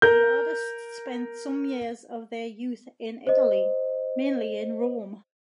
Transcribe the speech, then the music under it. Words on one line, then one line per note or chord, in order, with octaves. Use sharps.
The artist spent some years of their youth in Italy, mainly in Rome.
A#4 G6
C5 D#5